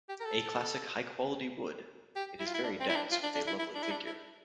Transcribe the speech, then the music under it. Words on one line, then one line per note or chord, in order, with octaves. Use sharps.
A classic high-quality wood, it is very dense with a lovely figure.
G4
A#4
A4
G4
E4
F4
E4
D4
C4
E4
D4
F4
D4
D4
E4
E4
D4
E4
D4
E4